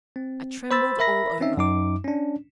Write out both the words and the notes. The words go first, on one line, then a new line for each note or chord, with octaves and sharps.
I trembled all over.
C4
C5 B5 E6 A6
A#4 E5 B5 A#6
C4 C#4 D#4 E5
F#2 D#4 D6
C#4 D4